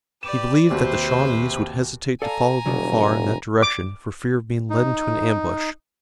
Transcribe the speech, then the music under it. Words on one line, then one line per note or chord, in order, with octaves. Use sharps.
He believed that the Shawnees would hesitate to follow them far in that direction for fear of being led into an ambush.
G4 B4 D5 E7
D#2 C3 F#4 G4 B4 C5
A4 D5 F5 G#5 A#5
F1 B2 D3 F#3
D6
D#4